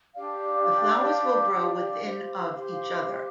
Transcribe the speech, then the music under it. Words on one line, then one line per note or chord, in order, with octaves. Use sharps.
The flowers will grow within of each other.
D4 G4 D5 F5
G4 C5 F5